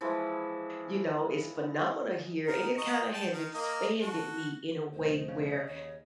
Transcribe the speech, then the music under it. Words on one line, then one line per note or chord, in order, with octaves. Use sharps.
you know, "it's phenomenal here." And it kinda has expanded me in a way where
E3 F3 G#3 E4
D#3 A#4
D#5 A#5 C#6
G5 A5
D#3
A#3 A#4 D#5
F#4 A4
F1 D#4 C5 D#5
C#3
D#2 C#5